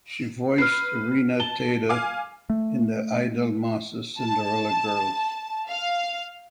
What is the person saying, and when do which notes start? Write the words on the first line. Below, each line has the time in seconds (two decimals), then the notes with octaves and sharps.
She voiced Riina Tada in "The Idolmaster Cinderella Girls".
0.58 B4 F6 C7
1.40 A5 G7
1.89 F5 G#5 D6
2.50 A3
4.19 A5
5.68 F5